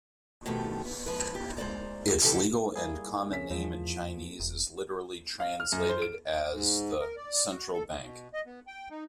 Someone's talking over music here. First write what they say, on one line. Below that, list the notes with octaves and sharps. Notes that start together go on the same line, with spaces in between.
Its legal and common name in Chinese is literally translated as the "Central Bank".
B2 D#3 F3 A3 G4
B3
G#2 F3 B4
G4
G#3 C5 D5 A#5
F2 C#3 E3 G4 A4
G3 A#3 E4 G#4
C#2 C#4 B6
E2 F3 G#3
F2
E1 E2
F5
F6
F#2
C5
D7
G#2
A#4
D5
F#4
A4
C#3
B2
D#5
B3
G5
D#4